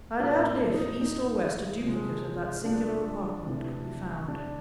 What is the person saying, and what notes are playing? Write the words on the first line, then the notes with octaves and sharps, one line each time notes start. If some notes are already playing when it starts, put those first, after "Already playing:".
I doubt if, East or West, a duplicate of that singular apartment could be found.
A2 F3 A#3 D4
D4
D#4
D#4
C3 F3 G#3
D4
C3 E3 A3
D4